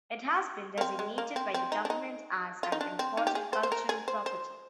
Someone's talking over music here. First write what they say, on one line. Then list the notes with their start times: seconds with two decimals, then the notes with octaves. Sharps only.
It has been designated by the government as an Important Cultural Property.
0.78 A#3
0.81 C4
0.99 G#3
1.18 A#3
1.36 C4
1.54 C4
1.72 D#4
1.85 D4
1.90 D#4
2.63 F4
2.72 D#4
2.81 D4
2.99 C4
3.17 D#4
3.27 G4
3.35 G#4
3.53 C5
3.63 C5
3.72 A#4
3.89 G#4
4.08 C5
4.26 C5